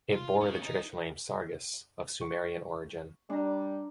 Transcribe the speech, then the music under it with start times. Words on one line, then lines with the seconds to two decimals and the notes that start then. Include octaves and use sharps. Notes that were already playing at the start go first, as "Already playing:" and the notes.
It bore the traditional name "Sargas", of Sumerian origin.
0.12 F4
0.41 C#4 G#4
0.62 D#4
2.21 C#6
3.30 G3 D4 A#5